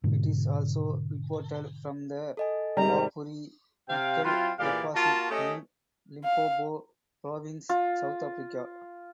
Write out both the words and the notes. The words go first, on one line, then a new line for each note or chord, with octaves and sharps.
It is also reported from the Pafuri nickel deposit in Limpopo Province, South Africa.
G#2 B2 D3
A4 D#5 G#5
G#2 C3 D#3 G3 A#5
C3 F5 G5
F#3 C4 E4 F4
A#2 E3 G4 G#4 D5 F5
A#3 F4 F#4 A5
A3 C#4 G4 D#5
F5
F4